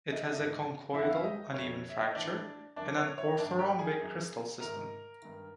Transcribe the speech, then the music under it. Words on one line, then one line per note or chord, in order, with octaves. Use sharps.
It has a conchoidal, uneven fracture, and an orthorhombic crystal system.
D#4 D#5
G#2 E3 D#4 D#5
F2 C3 E3 E4 E5
F#5
F5
E5
D#4 D#5
F2 D3 C#5
E5
D#5
A2 E3 D4 D5
F#2 D#3 D4 D5
C#5
C#5
G#2 D#3 D4 D5
G4 G5
G#4 G#5
F#2 D#3
G#2 D#3 A#4 A#5
G2 D#3